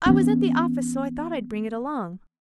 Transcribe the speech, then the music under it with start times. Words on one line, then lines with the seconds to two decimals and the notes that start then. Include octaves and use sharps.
I was at the office, so I thought I'd bring it along.
0.06 E3 B3 C#4